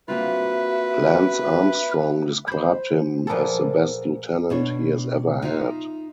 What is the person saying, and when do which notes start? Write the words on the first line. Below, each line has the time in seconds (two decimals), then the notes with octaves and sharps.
Lance Armstrong described him as the best lieutenant he has ever had.
0.08 A#3 C4 F4 F#4 B4 E5
2.48 C5 B5
3.27 A#2 F3 A#3 B3 G#4 A4
4.50 B2 D4 C#5
5.42 D#4 F4 E5